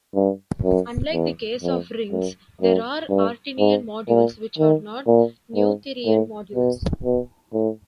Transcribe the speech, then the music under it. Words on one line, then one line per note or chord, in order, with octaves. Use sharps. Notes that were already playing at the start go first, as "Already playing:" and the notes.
Unlike the case of rings, there are Artinian modules which are not Noetherian modules.
G2
F#2
E2
F2
F#2
F#2
G2
G#2
A#2
D#3
A#2
G#2
A2
B2
B2
A2